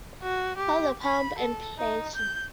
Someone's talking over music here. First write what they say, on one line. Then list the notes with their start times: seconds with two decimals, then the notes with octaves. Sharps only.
All the pomp and pleasure.
0.22 F#4
0.57 G4
1.02 B5
1.39 A4
1.78 D#4
2.16 G6